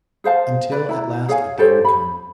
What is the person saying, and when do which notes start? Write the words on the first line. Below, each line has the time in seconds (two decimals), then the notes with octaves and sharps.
Until at last a day would come....
0.24 G#4 C5 F5 A5
0.72 B4 D5
0.89 E4 A#5
1.29 G#4 C#5 F5 G#5
1.58 G4 A4 C5 C#5
1.85 B5